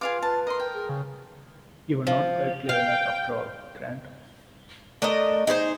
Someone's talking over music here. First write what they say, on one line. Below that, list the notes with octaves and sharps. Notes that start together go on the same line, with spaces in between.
You were not quite clever enough, after all, Grant.
F4 G#4 B4 F5 D6
B4 A5
A#4 D#5 C6
G5
G#4 A#4
C#3
F3
F5 G5
A3 D4 A#4 D#5
D#4 G#4 B4 C5